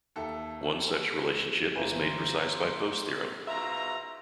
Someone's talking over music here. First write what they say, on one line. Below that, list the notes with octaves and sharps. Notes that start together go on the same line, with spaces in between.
One such relationship is made precise by Post's theorem.
D#2 A4 E5
G1 E3 A#3 F4 C5 D#7
G#2 B2 F4 E5 F5 A#5 E6